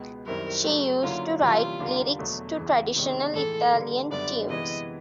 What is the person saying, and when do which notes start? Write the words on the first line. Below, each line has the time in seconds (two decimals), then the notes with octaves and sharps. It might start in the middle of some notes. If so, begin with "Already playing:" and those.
She used to write lyrics to traditional Italian tunes.
Already playing: C#2 B2 G#3 B3
0.26 F#2 D#3 G3 C4 E4 A#4
0.64 C#3 F#3 A3
1.03 D3 F#3 A#3 C#4 E4 F4
1.41 C3 E3 G3 A#3 C#4 F4
1.80 D#2 D3 G3 A#3 D4
2.19 E2 B2 F#3 A3
2.57 E2 C#3 E3
2.96 E2 C3 D#3 G#3 C#4
3.34 A2 E3 G#3 A4
3.72 D3 G3 A#3
4.10 F#2 D3 G3 B3 D4 D5
4.49 C3 E3 G#3 B3 E4 D#5